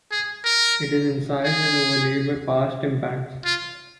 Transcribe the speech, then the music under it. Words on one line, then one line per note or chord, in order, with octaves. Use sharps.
It is incised and overlaid by past impacts.
G#4
A#4
G#4
F4